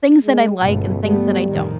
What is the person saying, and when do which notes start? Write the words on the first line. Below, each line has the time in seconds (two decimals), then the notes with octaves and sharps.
things that I like and things that I don't.
0.24 G#3
0.62 G1 C#2 B2 A3
1.03 G3 A3 B3
1.49 F2 A2 D#3